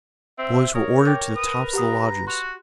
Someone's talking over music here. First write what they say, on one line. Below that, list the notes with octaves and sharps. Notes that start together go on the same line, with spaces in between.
The boys were ordered to the tops of the lodges.
C4 E5
A#4 C#5 D#6
G5 D6 G6
B4 D#6
G4 F#5 A#5 D#6
F#4 C6 F7